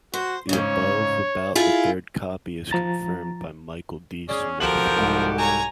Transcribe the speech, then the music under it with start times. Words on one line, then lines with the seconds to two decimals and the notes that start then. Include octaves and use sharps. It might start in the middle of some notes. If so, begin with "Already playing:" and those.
The above about the third copy is confirmed by Michael D. Smith.
0.14 F#4 C5
0.49 G#2 C#3 C#5
1.55 E4 F4 G#4
2.71 F3 A#5 A6
4.29 C#4 G#4 D5
4.60 F3 F#4 G4 A4 A#4 F#7
4.96 C2 G#2
5.38 C#5 G#5 A#5